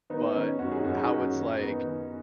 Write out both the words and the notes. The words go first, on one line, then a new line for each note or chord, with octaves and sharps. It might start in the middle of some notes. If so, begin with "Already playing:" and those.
but, how it's like
D#3 B3 D#4
D#3 C#4
F#2 C#4 F#4
D#4 G#4
F#2 C#4 F#4
D#4 G#4
F#2 C#4 F#4
D#3
D#3 B3 D#4
D#3